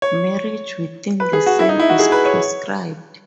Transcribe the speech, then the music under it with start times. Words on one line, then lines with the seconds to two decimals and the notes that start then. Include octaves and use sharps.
Marriage within the same is proscribed.
0.02 C#5
1.20 B4
1.33 G#4
1.46 F#4
1.59 E4
1.69 D#4
1.80 E4
1.89 F#4
1.99 G#4
2.12 B4
2.25 C#5